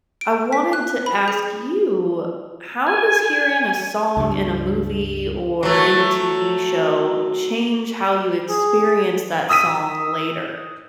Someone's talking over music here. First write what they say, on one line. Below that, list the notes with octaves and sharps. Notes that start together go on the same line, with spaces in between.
I wanted to ask you, how does hearing a song in a movie or in a TV show change how you experience that song later?
D7
B6
F#6
B5
G#4
G#5
C#2 G2
F#3 A3
G#4
D#6 E6 B6 D#7